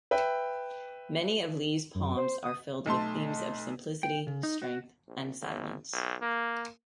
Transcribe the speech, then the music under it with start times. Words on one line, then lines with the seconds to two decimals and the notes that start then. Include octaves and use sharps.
Many of Lee's poems are filled with themes of simplicity, strength, and silence.
0.11 B4 E5 G5
1.95 F#2
2.17 C5
2.44 D#6
2.86 B1 A3 A5 C6
4.03 G5
4.27 C#3
4.43 D#4
4.62 F#4
5.08 A#1
5.41 G#1
5.93 B1
6.21 A#3